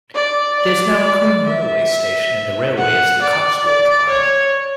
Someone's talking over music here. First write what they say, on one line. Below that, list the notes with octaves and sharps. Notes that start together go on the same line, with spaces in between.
It is now Combe railway station and the railway is the Cotswold Line.
D5
D5
D5
E5
F#5
D5
D5
C#5